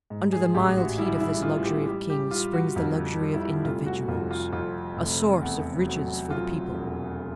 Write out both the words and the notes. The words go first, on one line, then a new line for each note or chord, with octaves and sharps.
Under the mild heat of this luxury of kings springs the luxury of individuals, a source of riches for the people.
G#2
G#4
A1 G4
F#4
G3 E4
E4
E3 F4
G4
G3 G4
G4
G3 F4
F#4
F2 F4
G3
E4
F1 F4
F#4
F2 F4
F4
F2 F4
F1
E2
F#3
F#3 F4
E1